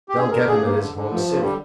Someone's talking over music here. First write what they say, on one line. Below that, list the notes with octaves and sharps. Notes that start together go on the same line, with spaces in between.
"They'll get him at his home city."
G4
D3 G#4
D3 A#4
G2 G#4
G2 A#3
D3
D3
G2 F3
G2
D3 G3